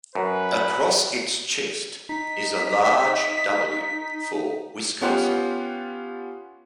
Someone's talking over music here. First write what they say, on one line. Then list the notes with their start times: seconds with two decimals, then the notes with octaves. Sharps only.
Across its chest is a large W, for Wisconsin.
0.15 F#2 B4
2.09 D#4 B6
5.01 B3 C#4 F4 G4 F#5